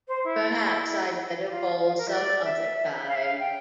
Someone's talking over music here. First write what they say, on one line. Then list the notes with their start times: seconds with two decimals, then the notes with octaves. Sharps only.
Perhaps I'd better call some other time.
0.08 C5
0.24 E4
1.45 G4
1.51 F4
1.82 F4
1.98 A#4
2.08 E5
2.13 D5
2.40 D5
2.44 E5
3.08 F5
3.16 E5
3.24 F5
3.39 G5